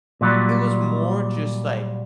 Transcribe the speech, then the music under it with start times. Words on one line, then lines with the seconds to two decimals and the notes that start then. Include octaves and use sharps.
it was more just, like,
0.21 A#2 F#3 G3